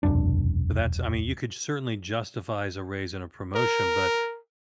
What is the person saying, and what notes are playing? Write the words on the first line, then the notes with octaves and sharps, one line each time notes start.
But that's I mean, you could certainly justifies a raise and a promotion, but
E1 C2 F#2 D4
A#4